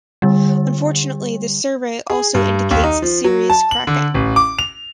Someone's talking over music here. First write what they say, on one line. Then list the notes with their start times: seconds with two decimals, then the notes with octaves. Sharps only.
Unfortunately, the survey also indicates serious cracking.
0.22 D3 G3
2.10 G#4
2.35 G2
2.71 D#2
2.84 D#4
3.02 F3
3.24 F#3
3.50 A5
3.71 F#7
3.87 D3
4.14 A1
4.36 D6
4.59 F7